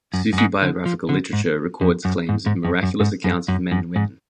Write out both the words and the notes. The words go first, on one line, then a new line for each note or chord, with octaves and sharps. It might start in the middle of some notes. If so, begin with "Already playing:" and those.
Sufi biographical literature records claims of miraculous accounts of men and women.
F#2
F#2
G#2
D3
F3
D3
G#2
F2
F#2
G#2
G#2
F2
F#2
G#2
F#2
F#2
F#2
G#2